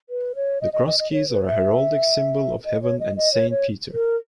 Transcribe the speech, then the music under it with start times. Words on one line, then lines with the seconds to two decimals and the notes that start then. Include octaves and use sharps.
The Cross Keys are a heraldic symbol of Heaven and Saint Peter.
0.09 B4
0.36 C#5
0.61 D#5
0.73 D#5
0.87 D#5
0.99 D#5
1.12 C#5
1.29 B4
1.46 E5
2.65 D#5
2.83 C#5
3.00 D#5
3.17 D#5
3.34 C#5
3.50 C#5
3.93 A#4